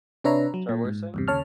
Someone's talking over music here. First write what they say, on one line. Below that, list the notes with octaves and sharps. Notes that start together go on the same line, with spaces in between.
Sorry, what were you saying?
C3 D4 B4 C#5 E5 A#5
F#3
A#2
G#2
E2 G2 C3
D#2 C#3 C#5 A5 F6